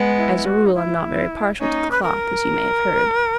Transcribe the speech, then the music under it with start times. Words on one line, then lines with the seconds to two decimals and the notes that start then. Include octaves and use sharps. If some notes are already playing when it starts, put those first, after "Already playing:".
As a rule I'm not very partial to the cloth, as you may have heard.
Already playing: G#3 B3
0.17 E4
0.46 F#4
0.66 D#4
0.74 E4
1.59 A#3 C#4 D#4
1.91 B4
2.03 A#4